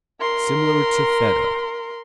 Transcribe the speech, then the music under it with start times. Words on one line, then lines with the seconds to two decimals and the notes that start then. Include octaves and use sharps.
Similar to Feta.
0.21 A#4 C6